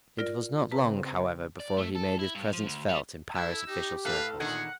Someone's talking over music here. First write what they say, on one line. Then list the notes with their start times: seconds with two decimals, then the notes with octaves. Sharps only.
It was not long, however, before he made his presence felt in Paris official circles.
0.19 F4 A#4 D5
0.72 C#3 C4 B4 A5 A#5
1.60 D5
1.77 A3
1.95 A4
2.19 E4
2.35 G2
2.53 F3
2.66 D2
2.89 G3
3.35 E4 A4 E6
3.67 D#4 G4
4.05 A2 A4 B4 F5
4.40 E2 A#2 D#3 D4 G#4 F#5